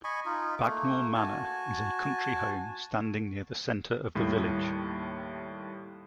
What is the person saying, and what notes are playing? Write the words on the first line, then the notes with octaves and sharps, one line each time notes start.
Bagnor Manor is a country home standing near the centre of the village.
D#5 G#5 B5 C#6
D#4 F4
A3 A#3
F#4 G#5 A5
D#2 A2 G3 A3